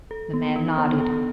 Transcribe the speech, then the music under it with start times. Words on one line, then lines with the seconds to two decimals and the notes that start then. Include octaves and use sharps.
The man nodded.
0.11 A4
0.33 B3
0.56 D#4
0.78 B3
1.00 A4